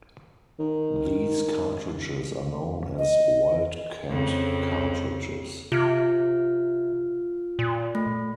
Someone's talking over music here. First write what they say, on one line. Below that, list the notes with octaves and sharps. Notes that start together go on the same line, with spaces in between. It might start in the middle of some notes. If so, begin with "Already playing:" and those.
These cartridges are known as wildcat cartridges.
D#3
D#5
F2 C#3
C3 F4 F6
A#2
A3